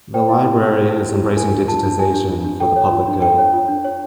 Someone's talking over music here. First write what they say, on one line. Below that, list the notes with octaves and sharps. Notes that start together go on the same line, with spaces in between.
The library is embracing digitization for the public good.
C5 G5
E4
G4
E4
C5
E4
G4
E4
A#4 G#5
D4
F4 A5
D4
A#4 G#5
D4
F4
D4
A4 G5
C#5
F4
D4
A4 G5
C#5
F4
D4
C#5